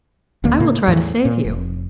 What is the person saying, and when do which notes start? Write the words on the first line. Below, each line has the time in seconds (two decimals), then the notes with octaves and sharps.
I will try to save you.
0.44 D1 D#2 D3 A#3
0.60 A2 C#3 A3 A#3
0.88 E2 A2 E3
1.25 A#2
1.45 F1